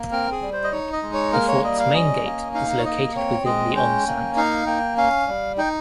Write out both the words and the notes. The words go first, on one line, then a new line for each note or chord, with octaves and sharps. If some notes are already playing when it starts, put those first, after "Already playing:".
The fort's main gate is located within the enceinte.
Already playing: A#3
C4 A#4
G#4
G3
C5
D#5
D#4 C#5
D#5
G#3
C#5
A#3 A#4
C#5
G3 D#5
F5
C#4 D#5
A#3
D#4 F5
C#5
A#3 D#5
C4 C#5
G#3 D#5
C#4 G5
A#3
D#4 F5
A#3 G5
C#4 F5
G3
D#4 G5